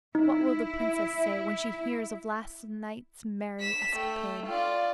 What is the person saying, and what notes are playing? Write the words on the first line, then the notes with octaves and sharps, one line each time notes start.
What will the princess say when she hears of last night's merry escapade?
D#4 E4
B6 E7
A3 G5
F4 D5